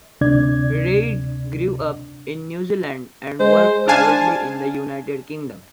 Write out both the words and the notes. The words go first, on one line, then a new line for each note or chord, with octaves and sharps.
Reid grew up in New Zealand and worked privately in the United Kingdom.
D2 C3 D4 D5 G#6
G#3 C5
D4 F5 G#5 A5